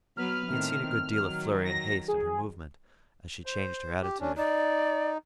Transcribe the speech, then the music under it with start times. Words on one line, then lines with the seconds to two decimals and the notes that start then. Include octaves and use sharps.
He had seen a good deal of flurry and haste in her movement as she changed her attitude.
0.17 F#3 B3 B4 F6
0.47 A2 D#3 C4
1.08 D#3 F#3
1.64 A#6
2.08 G#4
3.46 C5
4.02 G4
4.21 C#4 D4
4.37 D#4 D5